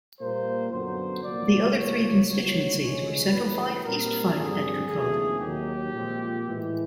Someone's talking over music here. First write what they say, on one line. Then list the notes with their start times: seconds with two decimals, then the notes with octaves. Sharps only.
The other three constituencies were Central Fife, East Fife and Kirkcaldy.
0.20 A#2 G3 A#3 C5
0.72 F#2 D3 F#3 B3 C5
1.24 C2 A#2 F#3 A#3 D5
1.76 C#2 C3 F3 C#5
2.28 C#2 B2 F#3 C#5
2.80 D2 C#3 F3 G#3 C#5
3.33 F#2 C#3 E3 A3 B4
3.85 A#2 G3 C4 A#4
4.36 G2 D3 G3 C4 G#4
4.89 D#2 C#3 F3 A3 C4 G#4
5.40 D#2 D#3 F#3 G4
5.94 A#2 F3 G#3 C4
6.46 A2 E3 G#3